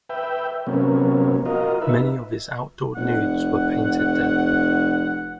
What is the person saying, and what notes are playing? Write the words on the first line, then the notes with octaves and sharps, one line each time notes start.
Many of his outdoor nudes were painted there.
B4 E5 G5
C3 F#3 A#3 B3 C#4
F4 F#4 A#4 D#5
D#4 B4 E5
F1 F#5